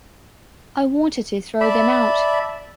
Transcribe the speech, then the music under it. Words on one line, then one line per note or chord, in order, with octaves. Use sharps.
I wanted to throw them out.
D5 E5 A5 B5